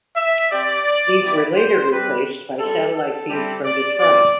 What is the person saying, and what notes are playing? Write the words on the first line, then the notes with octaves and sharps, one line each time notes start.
These were later replaced by satellite feeds from Detroit.
E5
C4 G4 D5
B3 E4 G4
C5
G3 C4 G4 B4
G3 D4 F4 A4
A4
G3 C4 E4 G4
D5
C4 F4 D5